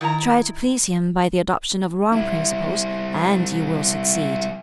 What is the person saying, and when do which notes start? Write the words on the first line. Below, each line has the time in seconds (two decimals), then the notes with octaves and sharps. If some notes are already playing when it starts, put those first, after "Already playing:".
Try to please him by the adoption of wrong principles, and you will succeed.
0.01 D#3 E4 E5 A#5
2.12 G3 E4